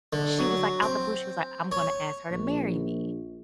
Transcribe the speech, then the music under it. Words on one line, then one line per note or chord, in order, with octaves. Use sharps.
she was, like, out the blue, she was like, "I'm gonna ask her to marry me."
D3
F#3
C4
C#5
A#1